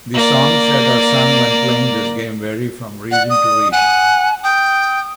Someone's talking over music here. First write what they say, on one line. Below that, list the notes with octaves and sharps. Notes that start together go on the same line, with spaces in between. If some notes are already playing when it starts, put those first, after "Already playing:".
The songs that are sung when playing this game vary from region to region.
A#3 D5
D5 F#5
D#6
F#5 G#5
G5 D#6